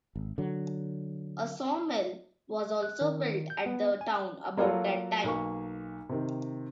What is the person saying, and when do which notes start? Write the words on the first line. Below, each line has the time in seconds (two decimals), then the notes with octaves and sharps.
A sawmill was also built at the town about that time.
0.16 G#1
0.38 D3 F#3
2.83 F#6
3.01 D#3
3.50 G6
3.66 B3
4.01 G#5
4.58 F#3 A#3 F4 F#4 A4
5.24 B1 A#3 C#6
6.09 C3 D#3